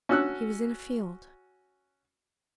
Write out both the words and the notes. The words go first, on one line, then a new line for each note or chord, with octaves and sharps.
He was in a field.
C#4 F#4 E6 F#6